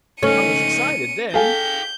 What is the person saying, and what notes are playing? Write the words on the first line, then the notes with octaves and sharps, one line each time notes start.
"I was excited then."
C#2 A3 C#4 D#4 C#7 D#7
G#4 A4 F5 G5 G#5 G6